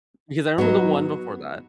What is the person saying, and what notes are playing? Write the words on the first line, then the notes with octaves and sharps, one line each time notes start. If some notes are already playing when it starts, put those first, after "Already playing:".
Because I remember the one before that.
F#3 B3 D#4 F#4